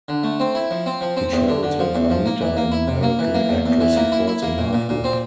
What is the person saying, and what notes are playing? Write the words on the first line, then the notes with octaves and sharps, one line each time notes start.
He travels with Anita, an American actress he falls in love with.
D3
A3
C4
E4
F3
C4
F3
C4
E2
D3
D3
F3
E2
F3
A#3
E3
A#3
E4
C3
A#3
E3
A#3
E2
E2
E3
A#3
E4
E4
A#3
A#2
A#2
A#2
C4